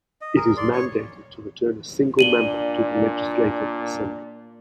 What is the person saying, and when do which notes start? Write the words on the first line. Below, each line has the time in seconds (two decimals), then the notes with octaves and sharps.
It is mandated to return a single member to the Legislative Assembly.
0.21 D#5
0.36 G#4 A#4
0.57 D5 C6
0.73 C#5 C#6
2.19 A#2 D4 D#7 F#7 G7